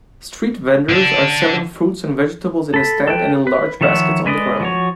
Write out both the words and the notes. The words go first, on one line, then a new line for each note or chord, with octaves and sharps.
Street vendors are selling fruits and vegetables in a stand and in large baskets on the ground.
D3 D4
A4 B5
A4 B4 G5
B4
D#3 F3 C#5 E5 F#5
G#3 B4 D5 D#5
F3 F#4 C#5